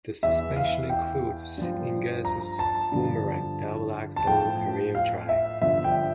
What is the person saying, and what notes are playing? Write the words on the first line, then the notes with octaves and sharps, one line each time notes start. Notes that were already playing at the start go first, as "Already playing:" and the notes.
The suspension includes Engesa's Boomerang double-axle rear drive.
E2 E3 E5
F5
G5
G2 F3
A#5
A5
G2 D3 F3
A5
A2 F3 G5
F5
E5
G2 D3 F3 E5
G5